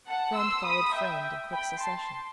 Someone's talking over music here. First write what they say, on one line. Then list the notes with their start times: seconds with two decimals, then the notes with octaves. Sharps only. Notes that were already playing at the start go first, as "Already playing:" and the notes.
Friend followed friend in quick succession.
0.08 F#5 A5
0.37 C6 E6
0.66 B5 D#6
0.96 E5 G5
1.53 G5 B5
1.82 A5 C6